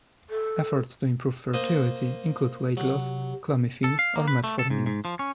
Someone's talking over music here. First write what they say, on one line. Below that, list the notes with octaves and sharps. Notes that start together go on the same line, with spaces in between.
Efforts to improve fertility include weight loss, clomiphene, or metformin.
A4
A#3 C5 D#5
C3 F#3
A4
F5
A#3
B4
A3
A4
G#2
G#2
F3
C#4